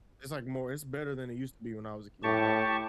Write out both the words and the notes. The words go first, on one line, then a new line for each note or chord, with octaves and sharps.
it's, like, more it's better than it used to be when I was a kid, right,
A2 G4 A5 C#6